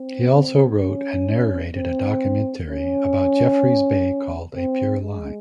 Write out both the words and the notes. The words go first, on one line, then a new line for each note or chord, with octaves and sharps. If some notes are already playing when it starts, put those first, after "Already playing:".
He also wrote and narrated a documentary about Jeffreys Bay called "A Pure Line".
Already playing: C4
C#4
C4
C#4
C4
G#3